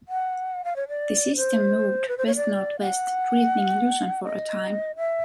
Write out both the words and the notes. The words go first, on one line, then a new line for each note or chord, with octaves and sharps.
The system moved west-northwest, threatening Luzon for a time.
F#5
F5
C#5
D5
C5
B4
C5
C#5
D5
F#5
D#5
E5